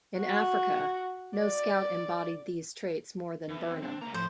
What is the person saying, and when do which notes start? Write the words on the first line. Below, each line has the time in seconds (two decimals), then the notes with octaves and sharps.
In Africa, no scout embodied these traits more than Burnham.
0.19 F#4
1.38 D5
3.49 E2
3.71 C4
3.84 D4
4.01 C#2 A#3 A#5
4.14 A2 F3 C5